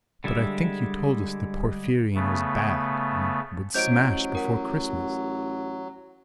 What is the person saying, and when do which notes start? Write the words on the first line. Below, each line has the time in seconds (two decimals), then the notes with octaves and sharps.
"But I think you told us the Porphyrion was bad, and would smash before Christmas."
0.24 D3 G3 G#3 E5
2.15 C#3 A3 B3
3.74 A1 F#3 C#4 C5 D#5 G6 D7
4.35 A#4 F#5